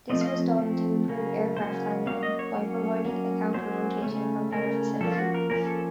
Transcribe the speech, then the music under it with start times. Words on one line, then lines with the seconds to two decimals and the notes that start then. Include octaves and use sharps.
This was done to improve aircraft handling by providing a counter-rotating propeller facility.
0.10 F3 A3 C4 D#5
0.21 F5
0.26 D#5
0.58 F3 A3 C4
1.08 C#3 F#3 A#3 C#4
1.57 C#3 F#3 A#3 C#4 C5
2.06 F#3 A#3 C#4 F5
2.23 D#5
2.39 C#5
2.55 F#3 A#3 C#4
3.05 F#3 A#3 C#4
3.54 F#3 A#3 C#4 C5
4.02 C#3 A3 C#4
4.52 C#3 A3 C#4 A#4
5.01 F3 A#3 C#4 A4
5.12 F4
5.18 F#4
5.34 A#4
5.50 F3 A#3 C#4 A#4
5.67 A4